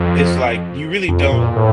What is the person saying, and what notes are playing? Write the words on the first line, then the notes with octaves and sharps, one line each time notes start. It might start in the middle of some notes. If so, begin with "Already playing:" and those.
it's like you really don't,
Already playing: F2
F2
A#2
A2